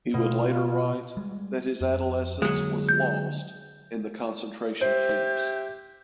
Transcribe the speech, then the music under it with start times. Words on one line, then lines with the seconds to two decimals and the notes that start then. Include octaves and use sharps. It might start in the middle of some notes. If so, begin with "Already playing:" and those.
He would later write that his adolescence was "lost" in the concentration camps.
0.14 B2 F4
1.17 G3 G#3
1.81 F2
2.42 D3 F#3 G#3 A#3
2.89 G6
4.81 G4 C5 E5 G6